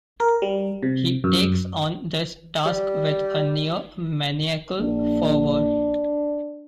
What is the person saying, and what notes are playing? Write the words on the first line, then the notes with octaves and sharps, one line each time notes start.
He takes on this task with a near-maniacal fervor.
A#4
G3
C3
F#2
G3
A#1 D4